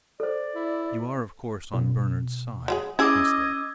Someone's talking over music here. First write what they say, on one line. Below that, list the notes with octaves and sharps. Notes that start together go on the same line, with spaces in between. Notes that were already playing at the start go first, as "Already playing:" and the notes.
"You are, of course, on Bernard's side," he said.
A4 C5 D5
E4
B2
F#3 F4 G#4
C#4 E4 G#4 D#5 D6 E6 G#6